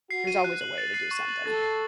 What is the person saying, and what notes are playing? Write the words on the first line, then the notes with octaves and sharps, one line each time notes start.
there's always a way to do something.
F#4 C7
D#7
F#6
F#7
A6
C7
C#6
F#7
A4 A6
C7